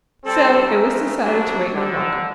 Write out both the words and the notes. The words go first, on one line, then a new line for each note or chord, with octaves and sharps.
So it was decided to wait no longer.
G3 C4 A4
F2 G#2 C#3 E3 A3 A#4
D#2 G#2 F#3 G3 D4
D3 D#3